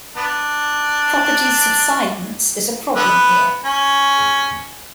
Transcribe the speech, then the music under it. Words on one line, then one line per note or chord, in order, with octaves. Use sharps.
Property subsidence is a problem here.
B3 D4
D3 B3
C#4